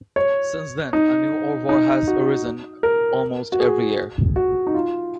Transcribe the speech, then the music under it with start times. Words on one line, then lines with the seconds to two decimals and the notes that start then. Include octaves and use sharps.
Since then, a new ouvroir has arisen almost every year.
0.16 C#5
0.93 D#4
1.69 D#4
2.08 F#4
2.83 A#4
3.52 F#4
3.60 G#4
4.36 F#4
4.67 D#4
4.74 F4